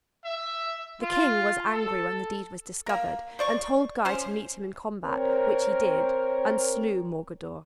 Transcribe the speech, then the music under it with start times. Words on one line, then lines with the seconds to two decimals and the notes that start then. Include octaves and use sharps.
The King was angry when the deed was discovered and told Guy to meet him in combat, which he did, and slew Morgadour.
0.24 E5
1.01 F4
1.71 A4
2.86 A#3 A#4
3.39 C5 D5 C#6
4.05 C#4 C5
5.04 C4 A#4 C#5